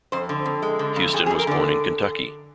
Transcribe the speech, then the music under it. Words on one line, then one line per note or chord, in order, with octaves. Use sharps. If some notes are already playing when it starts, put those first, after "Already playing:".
Houston was born in Kentucky.
F2 C5
D3
F2
G#3
D3
F2
F2 G#4
G#4
F2
A#4
D3 D5